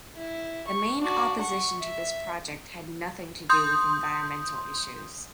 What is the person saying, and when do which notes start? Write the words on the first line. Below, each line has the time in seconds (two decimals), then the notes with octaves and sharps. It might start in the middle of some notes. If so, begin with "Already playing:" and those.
The main opposition to this project had nothing to do with environmental issues.
0.16 E4
0.67 C#6
1.00 D4 F#4
1.39 F#5 C#6
1.79 E5
3.49 C6 D#6 G6